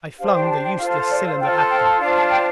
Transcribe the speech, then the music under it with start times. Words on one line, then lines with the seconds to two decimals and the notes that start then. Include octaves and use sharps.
I flung the useless cylinder at them.
0.18 D4 G4 C5 F5
0.33 G5
0.44 G5
0.49 A5
0.63 G5
0.78 F4 A4 C5 F5
0.94 F5
1.09 D5
1.23 F5
1.39 F4 A4 C5 G5
1.54 A5
1.69 G5
1.84 A5
1.99 D4 F4 C5 F5
2.14 A5
2.30 G5